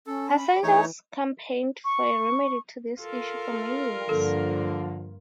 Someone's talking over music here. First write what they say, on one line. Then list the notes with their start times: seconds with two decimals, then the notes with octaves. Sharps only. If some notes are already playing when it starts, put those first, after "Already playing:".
Passengers campaigned for a remedy to this issue for many years.
0.07 C#4 A4
0.38 B5
0.63 E3 A3 D#4 C#5
1.85 C#6
3.02 F4 A4 A#4
4.09 G2 D3 F3 A#3 A4